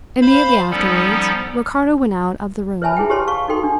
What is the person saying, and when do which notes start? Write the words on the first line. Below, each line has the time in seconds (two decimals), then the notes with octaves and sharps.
Immediately afterwards Ricardo went out of the room.
0.22 C5 F5 B5
0.71 F3 G3 B3 C#4 D#4 A4
2.82 B4 C#5 E5 G#5 A5 B5
2.97 E4 G#4 F#5 G5
3.10 G4 B4 C#5 A5 C6
3.27 F5 A5 C#6
3.48 D#4 F#4 A4 G5 C6
3.63 D4